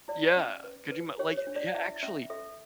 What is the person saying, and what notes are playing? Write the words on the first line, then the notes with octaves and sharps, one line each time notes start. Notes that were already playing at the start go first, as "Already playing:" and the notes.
Yeah. Could you ma like, yeah, actually
E4 D5
C#4
B4
B4
G4 C#5
C#5
D4
D5
E4 E5
C#4 E5
A4 E5